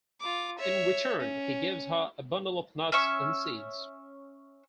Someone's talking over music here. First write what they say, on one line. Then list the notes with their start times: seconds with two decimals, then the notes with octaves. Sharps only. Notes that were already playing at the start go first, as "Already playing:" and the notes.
In return, he gives her a bundle of nuts and seeds.
0.20 F4 D6
0.59 C#5 E5
1.20 C#4
2.92 C#4 E5 C#6 E6